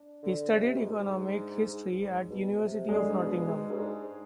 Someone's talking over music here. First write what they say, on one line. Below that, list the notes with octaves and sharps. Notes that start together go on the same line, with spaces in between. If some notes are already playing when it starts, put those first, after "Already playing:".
He studied Economic History at the University of Nottingham.
Already playing: D4
D3
C3
B2
G#2
G#2
B2
C3
D3 G#3 D4 G#4
G#2
B2
G#2
G2
G#2